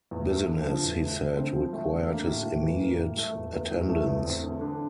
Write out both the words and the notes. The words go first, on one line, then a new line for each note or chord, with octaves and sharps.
Business, he said, required his immediate attendance.
E2
A3
D3
F3
E2
A3
D3
C4
F3
A3
D3
A#3
A2
A2
E3
A#3
A2
A3
E2
E2
E3
A3
E2
C4
D3
D3